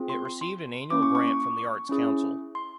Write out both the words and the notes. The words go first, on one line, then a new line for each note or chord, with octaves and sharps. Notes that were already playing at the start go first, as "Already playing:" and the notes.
It received an annual grant from the Arts Council.
Already playing: C4 F4 G#4
C6
C6
C6
A#3 C#4 E4 D6
C#6
C#6
C#6
C#4 E4 G#4
C6